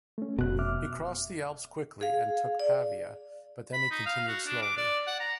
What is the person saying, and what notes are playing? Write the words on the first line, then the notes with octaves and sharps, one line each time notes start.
He crossed the Alps quickly and took Pavia, but then he continued slowly.
A3 C#4
F1 B2 F#4 F#6
E5 D6 F6
G#4 F5
D5
B5
D#4
F5
F#4
D4
D6
D5
F#5
A#5